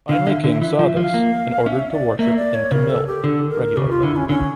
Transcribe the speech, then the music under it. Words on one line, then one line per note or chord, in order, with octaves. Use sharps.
Finally king saw this and ordered to worship in Tamil regularly.
D3 F5
D3 E5
D3 E5
E3 E5
F3 E5
F3 F5
A#3
C#4 E5
D5
A#3 E5
D5
C#5
C#3 A#4
A4
G4
D3 A4
A#4
C#3 G4
F4
D3 E4
C#4
D3 C#4